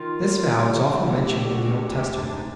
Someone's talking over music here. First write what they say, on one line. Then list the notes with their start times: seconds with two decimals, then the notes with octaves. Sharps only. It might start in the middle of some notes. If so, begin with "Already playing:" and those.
This vow is often mentioned in the Old Testament.
Already playing: D#3 F4
0.20 A#3
0.47 G3
0.76 A3 F#4
1.03 A2 G4
1.31 D4 G4
1.50 F#4
1.58 G#3
1.67 G4
1.86 D2 G4
2.14 D2 D4
2.32 D#4